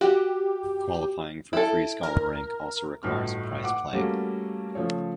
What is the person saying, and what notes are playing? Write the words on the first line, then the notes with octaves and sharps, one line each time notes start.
Qualifying for Free Scholar rank also requires a Prize Playing.
F#4 G4
E4 A4 D7
A#4
G1 A2 A3 D#4 F#4 F6
F#5 D6
G3 A3 A#3 C#4 F#4
C#3 F3 A3 C#5